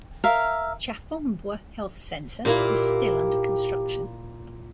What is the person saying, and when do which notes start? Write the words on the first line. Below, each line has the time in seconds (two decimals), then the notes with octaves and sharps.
Chafumbwa health centre is still under construction.
0.24 A#4 E5 F5
2.45 A#2 A#3 E4 G4